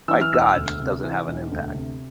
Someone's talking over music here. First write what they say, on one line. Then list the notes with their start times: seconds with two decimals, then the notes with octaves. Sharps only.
my god, does it have an impact.
0.08 E3 E6
0.21 F6
0.33 E1 E6
0.56 D2
0.80 C3
1.03 E3
1.27 E1
1.52 D2
1.75 C3